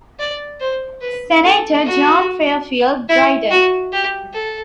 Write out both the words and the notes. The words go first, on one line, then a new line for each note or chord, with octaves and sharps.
Senator John Fairfield Dryden.
D5
C5
B4
A4
F#4
E4
F#4
G4
A4